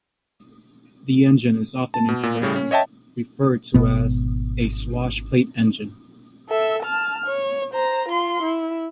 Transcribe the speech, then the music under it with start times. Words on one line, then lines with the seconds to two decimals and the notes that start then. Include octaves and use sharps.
The engine is often incorrectly referred to as a swashplate engine.
1.94 A5
2.09 B2
2.23 A#2
2.42 A2 C#3 G3
2.56 C#4
2.71 C#5 D#5 E5 G5 A5
3.74 G#1 B2 B3
6.49 A4 E5
6.83 A5 F6
7.26 C#5
7.73 C5 A#5
8.09 F4 C6
8.43 E4